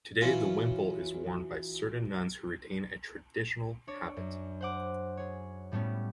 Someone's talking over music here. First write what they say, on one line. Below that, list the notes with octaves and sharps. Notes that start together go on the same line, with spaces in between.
Today the wimple is worn by certain nuns who retain a traditional habit.
E3 F#3 C#4 F4
D4 C#5 D5
F#2
C5 F#5 D6
G#4 C#5
A2 G3 A3 B3 C#4